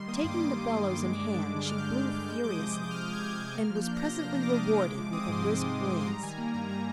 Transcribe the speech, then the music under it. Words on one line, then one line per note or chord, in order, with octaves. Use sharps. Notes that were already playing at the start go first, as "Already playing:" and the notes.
Taking the bellows in hand she blew furiously, and was presently rewarded with a brisk blaze.
Already playing: D#3 G3 C6
A#3 D#6
D6
G2 C6
D6
G3
D#3
A#3
G2
G#3
D3
D4
G2
G#3 F6
D3 G6
F6
D4
G2
G#3 G6
F3 D6
D#6
C3
D6
C3
G6
G#3 F6
F3
G#6
C3 G6
C3 F6
A#3 F6
F3
G6
D4
A#6
C3
A#3
F3
D6
D4 D#6
C3
G#3 D6
F3
C4 D#6
D6
G#2 C6
G#3 D6
F3
C4
G#2
C6
G3 A#5
D#3 G#5
A#3 G#5
G2 A#5
G3 A#5